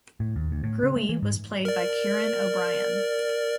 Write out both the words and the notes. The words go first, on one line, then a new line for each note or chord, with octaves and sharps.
Gruey was played by Kieran O'Brien.
A2
D#2
D2
A2
C#3
A3
E3
G#2
A#4 D5